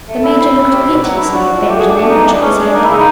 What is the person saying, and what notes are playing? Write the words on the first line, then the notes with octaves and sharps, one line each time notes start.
The Major looked piteously at Benjamin, and shook his head.
A3
C4 E4
C4 E4
C#4
G3
B2
F#3
D4 E4
F3 F#4
F3
A3
G4
F#4 G#4
D4
A3
D4
E3 D#4
G3 D4
G#3 C#4
G#3 D4
A#3 D#4
E4
C#3 D#4